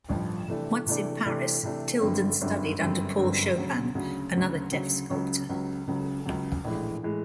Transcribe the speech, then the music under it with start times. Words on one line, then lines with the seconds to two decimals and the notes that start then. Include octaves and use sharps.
Once in Paris, Tilden studied under Paul Chopin, another deaf sculptor.
0.09 A1 G2 D3 F3
0.48 C3 E3 A3 D4
0.86 C3 E3 A3 D4
1.25 C3 E3 A3 D4
1.63 C3 E3 A3 D4
2.01 G1 F#2 D3 G3 C4
2.41 G1 F#2 D3 G3 C4
2.79 G1 F#2 D3 G3 C4
3.17 G1 F#2 D3 G3 C4
3.55 D2 C#3 F#3
3.95 D2 C#3 F#3
4.34 D2 C#3 F#3
4.72 D2 C#3 F#3
5.10 C#2 C#3 F#3
5.49 C#2 C#3 F#3
5.87 C#2 C#3 F#3
6.25 C#2 C#3 F#3
6.64 A#1 A2 E3 G#3
7.03 A2 E3 G#3